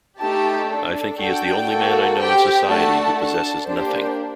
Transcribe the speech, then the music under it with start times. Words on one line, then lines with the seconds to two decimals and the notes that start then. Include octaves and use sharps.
I think he is the only man I know in society who possesses nothing.
0.19 A3 D#4 G4 A5
0.69 D4 A4
1.19 D4 F#4 A4 G5
1.68 A#3 F#4 A4
2.17 C4 G4 G5
2.67 A3 D4 F#4 A4 A5
3.17 D4 A4 A5
3.67 A#3 D4 G4 C5